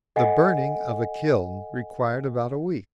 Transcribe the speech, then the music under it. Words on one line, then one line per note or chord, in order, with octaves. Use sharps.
The burning of a kiln required about a week.
A4 D#5 F#5 G#5